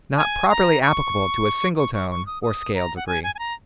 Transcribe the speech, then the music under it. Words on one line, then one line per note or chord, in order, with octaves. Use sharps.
Not properly applicable to a single tone or scale degree.
G#5
A#5
C#6
C#6
C#6
C#6
D#6
D#6
A#5
F#5
G#5
G#5
G#5
A#5